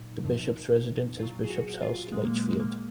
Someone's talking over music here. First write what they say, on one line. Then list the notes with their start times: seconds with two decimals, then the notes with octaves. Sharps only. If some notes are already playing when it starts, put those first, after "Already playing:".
The Bishop's residence is Bishop's House, Lichfield.
Already playing: A#2 F#3 D#4
0.24 F#2 F3
1.18 A#2 F#3 F4
1.44 G#4
1.50 F#4
1.82 F4
2.12 A#2 F#3 G#3
2.25 A#3
2.36 G#3
2.49 G#3
2.60 A#3